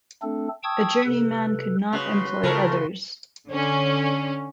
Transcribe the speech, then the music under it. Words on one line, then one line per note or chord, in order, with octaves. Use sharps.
A journeyman could not employ others.
A3 C4 D4 A4
G5 A5 C#6 D#6 E6 G#6
C3 A4 B4
C#3 F#4 B4 C6
C#3 A3 F4 A4 A#4
D3 C#4